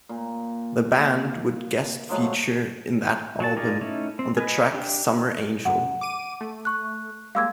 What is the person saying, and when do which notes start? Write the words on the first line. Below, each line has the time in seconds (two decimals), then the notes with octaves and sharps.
The band would guest feature in that album, on the track "Summer Angel".
0.09 A#2
2.09 F3 F#3 G#3 A3
3.40 F#3 F#4 A5
3.56 D#4 F4 G#4 A#4 D5
3.81 A3 C#4 D#4 E4
4.19 C4
4.37 B4 D#5 G#5
4.73 D4 G4
5.65 F#2 F#5
6.01 D6 D#7
6.41 A3
6.65 C#6 F#6
7.35 G3 G#3 A#3 F5 E6 G#6